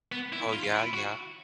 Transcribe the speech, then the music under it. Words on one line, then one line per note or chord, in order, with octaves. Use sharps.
Oh, yeah, yeah.
B3
E4
F4
F4
E4
F#4